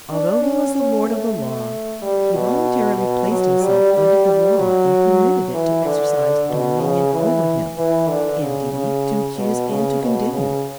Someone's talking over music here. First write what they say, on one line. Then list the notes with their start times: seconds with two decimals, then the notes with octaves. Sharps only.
Although He was the Lord of the Law, He voluntarily placed Himself under the Law and permitted it to exercise dominion over Him, indeed to accuse and to condemn Him.
0.11 D4
0.42 C#4
0.75 C#4
1.06 A3
1.38 A3
2.02 G3
2.35 B2
2.98 B2
3.30 F#3
3.62 G3
3.94 G3
4.26 G3
4.58 F#3
5.54 E3
5.85 D3
6.50 B2
6.81 C#3
7.13 E3
7.78 E3
8.09 D3
8.41 C#3
8.72 C#3
9.37 B2
9.69 C#3
10.01 B2
10.32 C#3